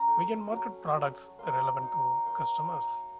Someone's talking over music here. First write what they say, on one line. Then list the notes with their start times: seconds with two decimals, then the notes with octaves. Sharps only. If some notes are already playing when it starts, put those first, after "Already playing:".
We can market products relevant to customers.
Already playing: C#4 A#5
0.08 A3
0.51 F#3
0.95 F#3
1.39 A#3 C6
1.82 D#4
2.26 A#3 C6
2.68 D#4